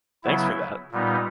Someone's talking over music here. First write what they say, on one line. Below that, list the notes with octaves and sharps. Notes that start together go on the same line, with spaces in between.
Thanks for that!
C#3 F#3 B3 E4
A#2 G3 B3 D#4